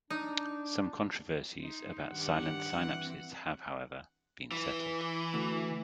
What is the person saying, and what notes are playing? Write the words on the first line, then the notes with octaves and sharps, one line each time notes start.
Some controversies about silent synapses have however, been settled.
D4 D#4
D#4 C5
G2 D#3 G4 F#5
E3 C4
E3
D2